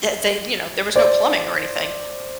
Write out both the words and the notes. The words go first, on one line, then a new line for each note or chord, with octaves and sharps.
eh they, you know, there was no plumbing or anything,
C5 D5